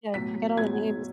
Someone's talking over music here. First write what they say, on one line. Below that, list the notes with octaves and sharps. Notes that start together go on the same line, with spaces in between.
Yeah, I forget all the names.
A2 F#3 B3 B6
A2 F#3 B3 G#6